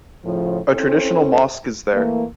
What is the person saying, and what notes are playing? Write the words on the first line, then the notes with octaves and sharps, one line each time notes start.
A traditional mosque is there.
A2 C#3 F3
C4 C#4 E4 A4 C5
E3 A3 A#3